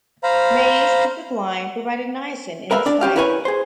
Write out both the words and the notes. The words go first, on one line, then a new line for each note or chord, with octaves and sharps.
Maize cooked with lime provided niacin in this diet.
C5 F5 A#5 B5
A#4 B4 E5 F5
D4 D5
C#4 G4 F5
E4 A#4 B4 C#5 G#5
G#4 C5